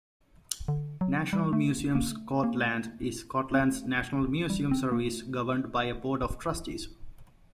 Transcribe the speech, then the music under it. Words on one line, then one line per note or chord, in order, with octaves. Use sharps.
National Museums Scotland is Scotland's national museum service, governed by a board of trustees.
D3
F#3
G3
A3
A#3
A#3
A3
A#3
A#3
A3
C4
A3
G3
C4
A#3
A3